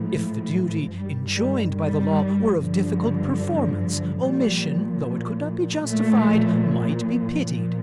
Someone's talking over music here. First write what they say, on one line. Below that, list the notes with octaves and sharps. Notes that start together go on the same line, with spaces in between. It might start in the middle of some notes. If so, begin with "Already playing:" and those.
If the duty enjoined by the law were of difficult performance, omission, though it could not be justified, might be pitied.
Already playing: A2 F3
G2 D#3 G3
G3
G3
G2 D3 F3
A#2 F3 G3
A#2 F3 A3
A#2 F3